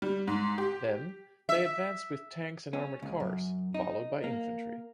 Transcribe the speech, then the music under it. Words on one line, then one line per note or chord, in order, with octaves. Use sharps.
Then, they advanced with tanks and armored cars, followed by infantry.
G3
G#2
G4
E5
C#4
C#2
F#2
D#4
A#3